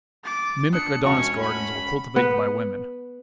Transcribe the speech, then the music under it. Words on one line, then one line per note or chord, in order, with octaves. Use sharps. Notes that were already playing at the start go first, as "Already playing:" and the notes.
Mimic Adonis gardens were cultivated by women.
D6 A6
D4 D#6 F#6 C#7
E1 C#4 F#4 C#5 A5 C#6
B5
B3